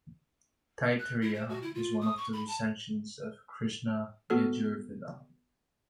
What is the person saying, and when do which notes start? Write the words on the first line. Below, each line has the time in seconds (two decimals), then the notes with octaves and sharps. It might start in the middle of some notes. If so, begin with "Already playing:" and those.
Taittiriya is one of the recensions of Krishna Yajurveda.
0.99 F#6
1.21 E4
1.34 C5
1.49 F#4
1.62 E4
1.75 F4
2.01 D#6
2.17 C#6
2.33 B5
2.48 A5
4.30 B3 F#4 A4 F6